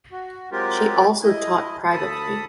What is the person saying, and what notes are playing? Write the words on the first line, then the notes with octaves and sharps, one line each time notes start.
She also taught privately.
F#4
F#3 G#3 C4 F4 G4 A#4
E4 D#5
D2 A4 A5 B5 D#6